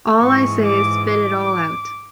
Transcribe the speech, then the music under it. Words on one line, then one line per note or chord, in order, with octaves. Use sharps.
All I say is spit it all out!
G#2 E3 G#3 C#6
D6
D6